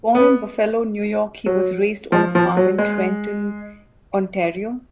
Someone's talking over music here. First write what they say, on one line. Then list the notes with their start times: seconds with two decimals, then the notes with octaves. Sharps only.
Born in Buffalo, New York, he was raised on a farm in Trenton, Ontario.
0.15 B3
1.46 F#3
2.12 F3
2.35 F3
2.57 F#3
2.78 G#3